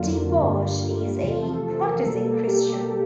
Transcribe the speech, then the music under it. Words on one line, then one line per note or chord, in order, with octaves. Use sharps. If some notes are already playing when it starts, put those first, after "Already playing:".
DeBarge is a practicing Christian.
Already playing: F2 D3 F#3 A#3 F4
G2 D3 G3 A#3
E2 C3 F3 A3 F4
A4
A4
A#4
B2 G3 A#3 A4
G4